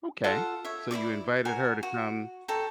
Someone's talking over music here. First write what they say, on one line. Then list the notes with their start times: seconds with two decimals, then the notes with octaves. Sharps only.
Okay. So, you invited her to come
0.24 F4 A4 F5 F#5
0.65 C#5 E5
0.91 E4 C#5 D5 D6
1.45 F#4 A#4 G#5
1.83 F#4
2.48 A4 C#5 G5 A#5